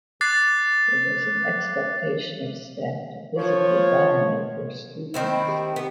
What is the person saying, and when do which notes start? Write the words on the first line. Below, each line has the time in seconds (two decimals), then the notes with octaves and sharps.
There was an expectation of staff to "physically dominate their students".
0.21 D6 F#6 A6 C7
3.38 F3 C#5
5.14 D#3 C4 E4
5.32 B5
5.48 G4
5.76 B3